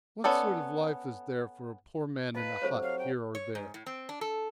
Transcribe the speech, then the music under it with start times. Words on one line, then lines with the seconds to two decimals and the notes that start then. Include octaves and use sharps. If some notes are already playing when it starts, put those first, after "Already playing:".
What sort of life is there for a poor man in a hut here or there?
0.24 B3 C#4 A4 D5
2.35 D#4 B4 D#5 F5 A5
2.62 C3 F#3 A4 C5 C#5 D6
2.83 F5
2.99 G5
3.35 C#5
3.55 G#2
3.74 A2
3.86 C4
4.09 D4
4.21 A4